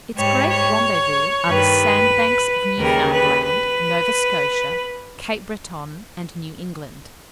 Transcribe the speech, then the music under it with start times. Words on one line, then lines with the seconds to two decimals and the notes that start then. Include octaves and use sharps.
Its great rendezvous are the sandbanks of Newfoundland, Nova Scotia, Cape Breton, and New England.
0.17 G#2 G3 C#5
0.50 C#5
1.47 G2 D#3 G3 B4
2.79 D#2 C#3 G3 A#4
3.11 B4
3.44 B4